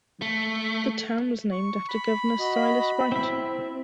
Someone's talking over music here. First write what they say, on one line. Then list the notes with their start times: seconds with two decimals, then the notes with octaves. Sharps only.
The town was named after governor Silas Wright.
0.22 A3
1.52 C#6
1.89 B5
2.39 F#4 D#5
3.12 C4 E4 E5